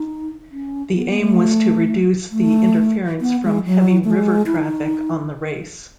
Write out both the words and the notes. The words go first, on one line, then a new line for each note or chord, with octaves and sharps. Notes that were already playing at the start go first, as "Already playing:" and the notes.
The aim was to reduce the interference from heavy river traffic on the race.
Already playing: D#4
C#4
B3
B3
A3
A3
B3
G#3
F#3
A3
G#3
E4
D#4